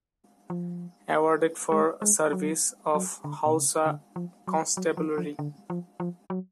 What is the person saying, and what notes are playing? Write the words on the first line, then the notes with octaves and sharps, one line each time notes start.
Awarded for service of Hausa Constabulary.
F3
G#3
G#3
F#3
F#3
D3
B2
C#3
D3
F3
F#3
F#3
F3
F3
D3
F3
F3
F#3